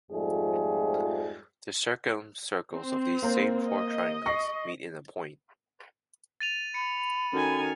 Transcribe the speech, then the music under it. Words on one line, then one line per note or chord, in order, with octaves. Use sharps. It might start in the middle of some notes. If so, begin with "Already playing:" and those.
The circumcircles of these same four triangles meet in a point.
F2 G#2 F3 G3 A3 G#4
C4
A#3 C5
D#5
C#6 A#6 C7
A6 D#7 F7
B5 C#7
D#3 C#4 F#4 A4 G#5